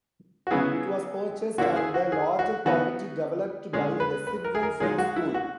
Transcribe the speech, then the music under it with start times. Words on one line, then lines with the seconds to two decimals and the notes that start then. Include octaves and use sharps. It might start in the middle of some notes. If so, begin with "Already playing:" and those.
It was purchased and the larger property developed by the Sidwell Friends School.
0.47 F#4
0.51 C#3 F#3 B3 E4 G#4
1.58 A#2 A#3 C#4 E4 F#4
1.76 G#4
1.94 F#4
2.12 G#4
2.39 F#4
2.66 E3 B3 D#4 F#4
3.73 A#2 G#3 C#4 G#4
4.00 B4
4.27 B4
4.44 A#4
4.55 G#4
4.63 A#4
4.80 A#2 G#3 D#4 G#4
4.98 F#4
5.16 E4
5.34 F#4